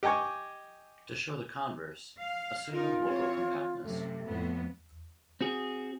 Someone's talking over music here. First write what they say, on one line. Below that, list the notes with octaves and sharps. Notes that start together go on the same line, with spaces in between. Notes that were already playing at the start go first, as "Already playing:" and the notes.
To show the converse, "assume local compactness".
G4 D#5 G5 G#5 C#6
F5
D#4 F4 A#4
E3 C4 C#5
F#2 C3 A3
F2 A2 B3
C4 F#4 G#4